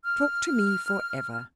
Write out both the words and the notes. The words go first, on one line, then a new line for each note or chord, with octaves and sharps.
Talk to me for ever.
F6